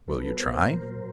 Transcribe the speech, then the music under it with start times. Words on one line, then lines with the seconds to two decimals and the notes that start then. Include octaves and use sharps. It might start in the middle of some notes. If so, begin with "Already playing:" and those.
"Will you try?"
0.08 F#3 A4 B4
0.27 B3
0.36 A#4 C5
0.45 A#2
0.63 A#2 A#4 C5
0.82 F#3